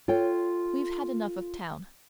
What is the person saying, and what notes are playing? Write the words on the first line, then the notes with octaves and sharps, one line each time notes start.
We've had enough of town.
F4 A4 C#5 G5